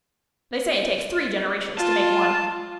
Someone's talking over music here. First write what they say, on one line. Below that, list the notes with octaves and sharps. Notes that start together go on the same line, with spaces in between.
They say it takes three generations to make one.
F4 A5